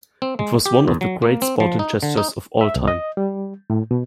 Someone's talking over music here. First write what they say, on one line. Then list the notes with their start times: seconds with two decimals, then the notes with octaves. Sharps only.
It was one of the great sporting gestures of all time.
0.22 C4
0.39 G#3
0.66 G4
0.88 E2
1.01 F#3
1.22 A#3
1.42 C4
1.60 F3
1.79 D#4
2.03 D3
2.17 D#4
2.61 E5
2.76 C2
2.88 D#5
3.17 G3
3.70 A2
3.91 B2